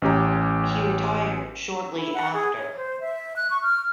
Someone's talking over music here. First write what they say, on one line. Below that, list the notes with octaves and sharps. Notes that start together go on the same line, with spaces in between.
He retired shortly after.
A1 C#4 G4 A#5
E4
F#5
G#4
C#5
C5
E5
F#6
C#6
F6